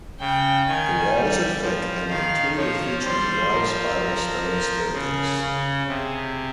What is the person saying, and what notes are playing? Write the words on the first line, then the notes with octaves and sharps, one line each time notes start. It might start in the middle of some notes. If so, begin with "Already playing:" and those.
The walls are thick, and the interior features a wide spiral stone staircase.
C#3 G5
D#3 G#5
G3
F3
D#3 F5
F3 C#5
G3 C5
F3 A#4
A#4
A#4
C#3 G#4
C#3
C3 G#4